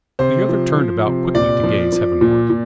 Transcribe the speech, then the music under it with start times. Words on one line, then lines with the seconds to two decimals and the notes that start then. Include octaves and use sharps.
The other turned about quickly to gaze heavenward.
0.19 C3 C5
0.49 F3
0.77 F3
1.06 C3
1.35 A#2 D5
1.63 F3
1.92 F3
2.21 A#2
2.50 A#2